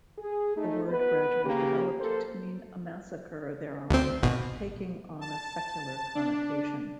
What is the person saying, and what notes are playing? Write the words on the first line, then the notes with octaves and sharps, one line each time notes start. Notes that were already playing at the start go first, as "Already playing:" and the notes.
The word gradually developed to mean a massacre thereon, taking on a secular connotation.
G#4
A3 D#4
B3 B4
C#3 A#3 G4
A#3 A4 C5
D2 C4
G#1 B2
A5
D4